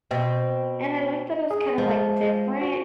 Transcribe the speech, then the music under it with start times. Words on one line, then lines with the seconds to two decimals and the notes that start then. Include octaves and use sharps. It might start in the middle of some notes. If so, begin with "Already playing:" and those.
and I like that it was kinda, like, different,
0.11 B2 C4
1.51 G#4
1.78 F3 G#3
2.61 F#4